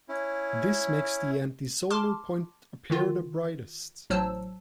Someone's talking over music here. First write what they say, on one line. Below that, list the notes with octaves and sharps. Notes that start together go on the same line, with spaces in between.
This makes the antisolar point appear the brightest.
C#4 E4
A5 C6 D6 F6
D3 D#3 F4
A1 A2 F#3 C5 A5 E6